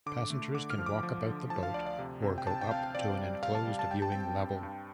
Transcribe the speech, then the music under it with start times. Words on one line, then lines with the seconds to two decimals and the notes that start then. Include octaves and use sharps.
Passengers can walk about the boat or go up to an enclosed viewing level.
0.06 D3 D6
0.30 A3
0.54 D3 D6
0.70 F6
0.78 F3
0.86 D6
1.03 F3
1.26 D3
1.50 F3 A5
1.63 F5
1.74 D2 D5
1.86 D5
1.98 C3
2.22 C3
2.38 G5
2.47 C3 A5
2.61 G5
2.71 C4 F5
2.95 C4 D5
3.18 G3
3.43 C3 F5
3.55 A5
3.67 G3
3.79 A5
3.91 G3 G5
4.02 A5
4.12 C4 G5
4.39 G2
4.63 G2